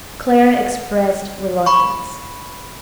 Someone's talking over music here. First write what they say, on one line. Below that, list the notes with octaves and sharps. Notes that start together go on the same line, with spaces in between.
Clara expressed reluctance.
B5 C#6